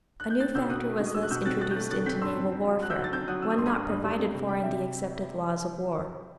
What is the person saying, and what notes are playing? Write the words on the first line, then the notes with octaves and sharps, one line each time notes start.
A new factor was thus introduced into naval warfare, one not provided for in the accepted laws of war.
F#6
G6
C4 F#6 A6
B2 E6 G6
C4 D#6 F#6
A3
B2
D#6
A3 E6
F#6
B2 E6 G6
C4 F#6 A6
A3 F#6 A6
G6
A3 F#6 A6
C4 F#6 A6
C4 G6 B6
G2 C6 E6
C4
C4
F#3
F#3 F#6
E6 G6
F#3
A6
C4 E6 G6
F#3 D#6 F#6
C4 E6
D#6
G2 C6
B5 D#6
G2
G2
G3
C4
C3
C4 G5 B5
C3 E5